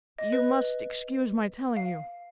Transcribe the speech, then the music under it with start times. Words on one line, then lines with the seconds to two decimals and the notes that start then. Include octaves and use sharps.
'You must excuse my telling you.
0.19 D#5
0.32 B4
1.76 F5